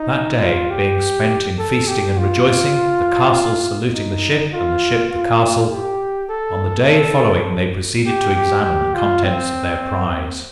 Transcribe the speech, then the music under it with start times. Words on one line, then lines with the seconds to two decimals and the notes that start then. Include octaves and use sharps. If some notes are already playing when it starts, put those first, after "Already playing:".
That day being spent in feasting and rejoicing, the castle saluting the ship, and the ship the castle, on the day following they proceeded to examine the contents of their prize.
Already playing: D#4
0.41 F4
0.70 G4
1.59 A4
1.88 G4
2.17 F4
3.94 D#4
4.53 F4
5.11 F4
5.71 G4
6.29 A4
6.88 A4
8.06 G4
8.35 G4
8.65 G4
8.94 F4
9.24 C4